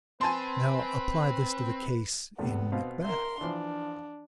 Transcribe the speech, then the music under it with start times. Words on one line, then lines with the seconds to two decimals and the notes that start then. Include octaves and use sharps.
Now apply this to the case in Macbeth.
0.21 C4 B4 G#5 A5 C6
2.38 E2 A2 C3 B3
2.72 B2 C4 F5
3.04 A#4 E5 C6
3.41 E3 F3 D4